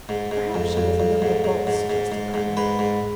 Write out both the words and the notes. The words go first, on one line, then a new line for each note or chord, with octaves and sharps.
"Perhaps she was a little of both," suggested Putney.
G#2
G#2
F2
F2
F2
G#2
G#2
G#2
G#2
G#2
G#2
G#2 B4
G#2